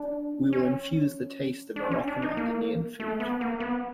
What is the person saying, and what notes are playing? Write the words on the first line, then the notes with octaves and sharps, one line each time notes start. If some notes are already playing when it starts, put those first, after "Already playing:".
We will infuse the taste of Moroccan and Indian food.
Already playing: D4
C#4
D4
C#4
D4
D#4
A#3
A3
B3
A#3
B3